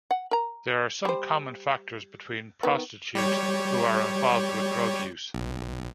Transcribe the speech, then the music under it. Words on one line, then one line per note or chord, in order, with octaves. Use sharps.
There are some common factors between prostitutes who are involved with drug use.
F#5
A#4 A#5
G3 C5
D#3 B3
G3 G4 C#5
B1